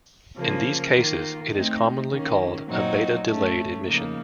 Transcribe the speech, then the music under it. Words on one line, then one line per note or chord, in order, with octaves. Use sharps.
In these cases it is commonly called a "beta-delayed" emission.
C#3 F3 A#3
D#3 A#3 F4
A3 C4 D#4
D#3 A#3 C#4
A#2 F#3 C4 D#4 F#4
A2 A3 C#4
C#3 F3 A#3 D#4 A#4